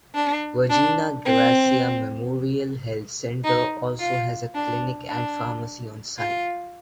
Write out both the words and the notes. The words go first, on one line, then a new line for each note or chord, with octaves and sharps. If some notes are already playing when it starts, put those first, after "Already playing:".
Virginia Garcia Memorial Health Center also has a clinic and pharmacy on site.
D4
D4
C4
D#4
F4
D4
D4
F4